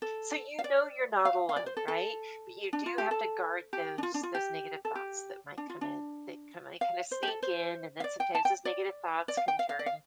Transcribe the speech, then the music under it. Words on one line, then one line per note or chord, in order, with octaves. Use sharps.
So you know you're not alone, right? But you do have to guard those those negative thoughts that might kinda they kinda sneak in, and then sometimes those negative thoughts can turn
A4
F5
D5
F5
F5
D5
C5
A4
A4
D4
F4
G4
A4
G4
D4
F4
D4
F4
G4
A4
G4
D4
F4
D4
F5
C5
G4
A4
C5
F5
D5
G5
A5
G5
D5
D5
F5
G5
F5
F5
D5
F5